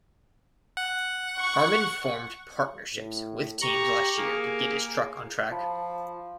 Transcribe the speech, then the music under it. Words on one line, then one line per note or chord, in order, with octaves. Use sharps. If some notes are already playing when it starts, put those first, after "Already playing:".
Harmon formed partnerships with teams last year to get his truck on track.
F#5
C#6
A2
G4 A#5 C#6
A#3 G#4
F3 F4 A5 B5